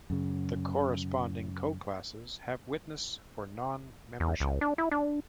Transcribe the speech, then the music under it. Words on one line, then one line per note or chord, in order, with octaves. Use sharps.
The corresponding co-classes have witness for non-membership.
F#2 C#3
E2
C#2
D4
E4
D4